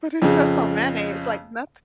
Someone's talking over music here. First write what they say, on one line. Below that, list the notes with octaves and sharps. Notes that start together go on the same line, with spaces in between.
But it's just on mayonnaise, it's like nothing.
F2 C#3